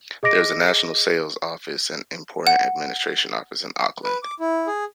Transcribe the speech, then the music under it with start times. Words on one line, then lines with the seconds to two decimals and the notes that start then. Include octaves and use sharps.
There is a national sales office and import administration office in Auckland.
0.23 G#4 D#5 D6 A#6 D7
2.47 F#5
4.04 B4
4.23 D6
4.40 E4
4.67 G#4